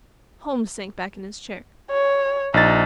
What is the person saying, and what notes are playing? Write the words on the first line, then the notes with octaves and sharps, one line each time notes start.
Holmes sank back in his chair.
C#5
A#1 D#4 A6